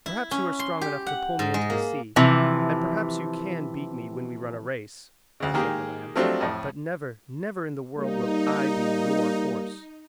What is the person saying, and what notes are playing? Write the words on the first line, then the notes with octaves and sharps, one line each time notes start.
"Perhaps you are strong enough to pull me into the sea, and perhaps you can beat me when we run a race," said the lamb, "but never, never in the world will I be your horse."
E4
C#4
C6
G4
F#5
G#2
G#3
A#3
C3 E3 F3
D2 C#3
D#3 G#3 A#3 G4 G#4
F3 F#3 A3 C4 D4 G4
F2 A2
G3 A#3 D#4